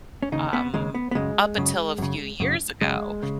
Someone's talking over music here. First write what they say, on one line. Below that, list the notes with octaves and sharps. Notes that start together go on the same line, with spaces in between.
um, up until a few years ago,
C#4
D#2 C#3 D#4
B3
D#2 C#3 G#3
B3
B3
F#2 C#3 G#3
F#2 C#3
F#2 C#3
F#2 C#3
F#2 C#3 G#3
C#3